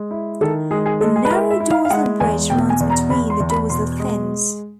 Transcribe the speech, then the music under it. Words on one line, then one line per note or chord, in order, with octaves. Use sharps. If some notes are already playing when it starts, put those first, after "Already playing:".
A narrow dorsal ridge runs between the dorsal fins.
Already playing: G#3
E4
D#3 A4
G#3 G#4
G#4
G#3 A4
G#4
B4
E4 A#4
E5
E4
F5
F5
G#3 F#5
E2 G#5
B2 G5
G#5
E2
A#5
E2 B5
C6
E2
B5
B2 C6
G#3